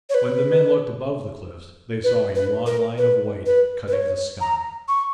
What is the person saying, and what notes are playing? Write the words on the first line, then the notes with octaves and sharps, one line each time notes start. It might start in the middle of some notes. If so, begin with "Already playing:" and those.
When the men looked above the cliffs they saw a long line of white cutting the sky.
C#5
B4
B4
B4
A#4
B4
B4
B4
C#5
A#5
C#6